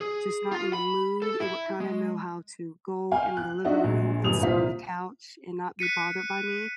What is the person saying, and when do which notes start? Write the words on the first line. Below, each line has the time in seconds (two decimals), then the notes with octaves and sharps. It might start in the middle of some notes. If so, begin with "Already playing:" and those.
just not in the mood it would, kinda know how to go in the living room and sit on the couch, and not be bothered by me,
0.01 G#4
0.52 F4
0.73 B5
1.22 A4
1.40 E4
1.80 G#3
3.11 F5 G5 G#5
3.37 F#6
3.65 D4 D#4 F4 F#4 D#5 E5
3.84 A#1 G#3
4.24 G1 F#2 A#2 G3 D#6 F7
4.41 C2 A#2 C4 F4 F5 B6
5.79 F#6 B6 C#7 D#7